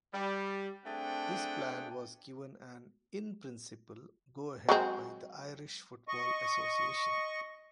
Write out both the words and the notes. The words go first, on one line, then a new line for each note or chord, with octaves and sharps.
This plan was given an "in principle" go-ahead by the Irish Football Association.
G3
A3 C4 D4 G#4 F#5 G5
F#3 G#3 C4
D#5 C#6